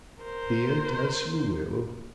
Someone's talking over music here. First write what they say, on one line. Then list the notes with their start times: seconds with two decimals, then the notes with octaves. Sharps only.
"Be it as you will."
0.22 A#4 C5